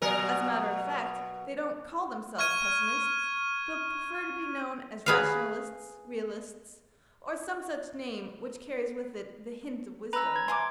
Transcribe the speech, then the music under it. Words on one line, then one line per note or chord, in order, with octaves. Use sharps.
As a matter of fact, they don't call themselves pessimists, but prefer to be known as rationalists, realists, or some such name which carries with it the hint of wisdom.
B2 F#3 A#4
C#6 F6 G#6 D#7
G#4 B4 F5
C#4 B4 A#5 E6
G#6
C3 G#5 A#5 C6 D6